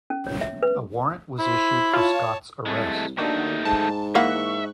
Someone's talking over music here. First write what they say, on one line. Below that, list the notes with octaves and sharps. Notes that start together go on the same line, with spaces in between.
A warrant was issued for Scott's arrest.
C#4
C#5
E5
B4
E4 C5 B6
F4 C#5 A5
C2 G#3 A3
D#2 D#3 A3 D4 D#4 F#4
G#2 A5
E3 A#3 E5 F#5 C#6 F#6 B6
G#2